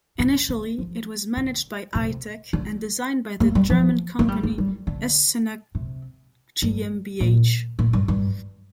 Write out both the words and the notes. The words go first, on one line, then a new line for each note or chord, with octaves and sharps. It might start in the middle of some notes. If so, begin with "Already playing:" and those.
Initially it was managed by Eyetech and designed by the German company Escena GmbH.
C3
D3
F3
D3
C3
D3
A#3
G3
F3
A#3
G3
A#3
G3
D3
C3
G2
A#2
A#2
G2
G2